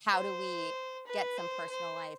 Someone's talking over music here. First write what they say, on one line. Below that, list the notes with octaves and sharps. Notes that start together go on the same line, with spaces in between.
How do we get some personal life
C5
B4
C5
C5